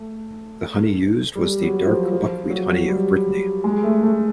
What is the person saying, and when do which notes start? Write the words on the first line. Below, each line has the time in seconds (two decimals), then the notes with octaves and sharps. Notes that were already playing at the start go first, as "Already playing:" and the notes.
The honey used was the dark buckwheat honey of Brittany.
Already playing: A3
1.35 G3
1.62 F#3
1.86 F3
2.12 F3
2.50 F#3
2.88 G3
3.64 G#3
3.84 A3
4.03 A3